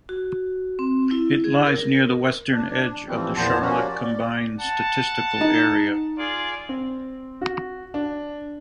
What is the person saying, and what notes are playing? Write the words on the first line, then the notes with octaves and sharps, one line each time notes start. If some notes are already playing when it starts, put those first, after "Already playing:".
It lies near the western edge of the Charlotte combined statistical area.
F#4
C4
E4
G#4
A#4
D4
E3 F3 G3 C4
E2 A#2 F3 B3 C5 A5
F3 G3 A#3 C#4 F#4
D5
F#5 A5
D#4
F4 G#4 D5
C4
F#4
D4